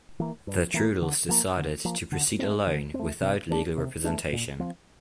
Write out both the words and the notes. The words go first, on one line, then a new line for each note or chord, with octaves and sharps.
The Trudels decided to proceed alone, without legal representation.
E3 A#3
G2
E3 A#3
D3
F3 A#3
D3
F3 A#3
D3
A3 C4
D3
C4
A3
C3
E3 A3 D4
C3
E3 A3 D4
A#2
F3 C4